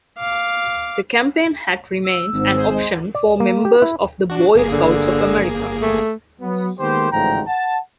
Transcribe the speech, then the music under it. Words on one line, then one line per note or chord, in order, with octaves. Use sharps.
The campaign hat remains an option for members of the Boy Scouts of America.
F5 D6
E6
G#1 G#2
G#4 C5
G#3
D5
A#3
G4
E4
D4 F#4
G1 A#3 G#4
D3
A3
F#3 B3
D#3 G#3 A#3 B3 G4 C5
A1 D2 G#2 F3 G5 A#5
F#5 A5